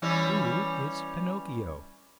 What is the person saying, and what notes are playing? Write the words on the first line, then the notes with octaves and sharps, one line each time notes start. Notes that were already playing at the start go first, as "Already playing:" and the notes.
"Who is Pinocchio?"
E3 G3 C#4